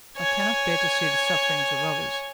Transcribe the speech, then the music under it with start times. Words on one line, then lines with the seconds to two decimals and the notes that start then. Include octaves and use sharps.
I cannot bear to see the sufferings of others.
0.18 C#5 G#5